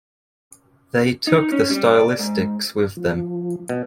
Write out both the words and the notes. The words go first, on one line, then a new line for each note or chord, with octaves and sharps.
They took The Stylistics with them.
D#4
C#4
G3
D5
G#2
F3
B2